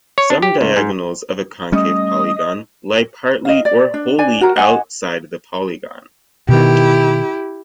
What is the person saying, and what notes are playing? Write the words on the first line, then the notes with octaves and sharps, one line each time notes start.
Some diagonals of a concave polygon lie partly or wholly outside the polygon.
C#5
D4
G4
C#2
G#2
G3 A3 C#4 D#5 D#6
D#5 F5
D5
D4
D4 D5 G#5
F#4 A#4 A#5
D#5 F#5 G#5
B2 D#3 E4 G4